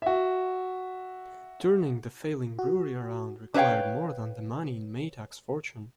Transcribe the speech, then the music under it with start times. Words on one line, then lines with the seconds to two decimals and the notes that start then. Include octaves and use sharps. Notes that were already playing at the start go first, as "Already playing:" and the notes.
Turning the failing brewery around required more than the money in Maytag's fortune.
0.02 F#4 E5
2.59 F#4
3.54 D4 B4 C#5 F5 G5